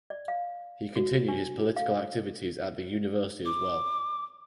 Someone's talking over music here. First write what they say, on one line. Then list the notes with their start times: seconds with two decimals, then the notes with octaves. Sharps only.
He continued his political activities at the university as well.
0.10 D5
0.28 F5
0.96 F#4
1.28 D4
1.76 F5
3.45 D6